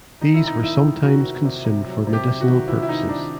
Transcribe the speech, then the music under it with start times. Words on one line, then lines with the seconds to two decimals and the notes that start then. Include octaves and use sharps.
These were sometimes consumed for medicinal purposes.
0.21 D#3 D#4
0.34 E4
0.43 D#3 D#4
0.63 D#3 E4
0.83 D#3
1.03 D#3 F#4
1.24 C3
1.45 C3
1.65 C3
1.86 F#3
2.07 C3
2.13 G4
2.27 C3
2.41 F#4
2.48 D#3
2.67 C3 E4
2.82 E4
2.88 D#3 D#4
3.09 D#3 D4